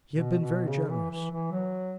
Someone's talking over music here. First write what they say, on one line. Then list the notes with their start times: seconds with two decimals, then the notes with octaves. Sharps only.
He had been very generous.
0.13 B2
0.40 B2
0.68 C#3
0.90 E3
1.10 E3
1.31 E3
1.51 F#3